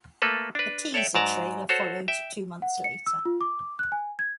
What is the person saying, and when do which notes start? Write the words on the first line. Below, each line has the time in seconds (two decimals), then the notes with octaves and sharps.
A teaser trailer followed two months later.
0.22 A3 A#3 A4 B4
0.55 D4 B4
0.94 A4 C#5 D5 E5 G5
1.15 G#2 F#3 D5 A5 A#5
1.69 F#4 A4 C5 C#5
2.08 E5 G5
2.62 F#5
2.84 C#7
3.06 E6
3.25 F4
3.41 D6
3.79 F#6
3.92 G#5
4.19 G#6